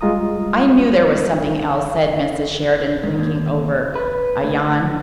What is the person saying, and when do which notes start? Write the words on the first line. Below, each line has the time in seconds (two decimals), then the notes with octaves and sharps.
"I knew there was something else," said Mrs. Sheridan, blinking over a yawn.
0.01 G3 G#3 F4 A#5 D#6
3.04 G#2
3.19 D#2
3.96 B4
4.44 D2